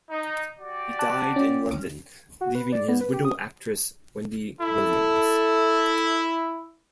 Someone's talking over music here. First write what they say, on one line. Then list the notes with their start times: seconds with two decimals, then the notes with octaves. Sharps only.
He died in London leaving his widow actress Wendy Williams.
0.10 D#4
0.59 F#4 G4 D5
0.99 A5 D6 F#6
1.36 C#4
2.41 F#4
2.55 B4
2.72 D5
2.89 B3
3.01 B4
3.13 G4
3.25 D#6
4.60 E4 A4